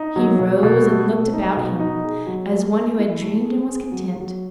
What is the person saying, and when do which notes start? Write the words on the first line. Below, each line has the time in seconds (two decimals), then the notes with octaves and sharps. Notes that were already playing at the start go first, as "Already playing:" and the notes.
He rose and looked about him, as one who had dreamed and was content.
Already playing: D#4
0.16 F#3
0.39 B2
0.63 B2
0.86 A3
1.09 A3
1.33 D#4
1.56 B2
1.80 D#4
2.04 G#4
2.27 F#3
2.51 A3
2.74 A3
2.98 E4
3.21 A3
3.45 G#4
3.68 G#4
3.92 F#3
4.16 F#3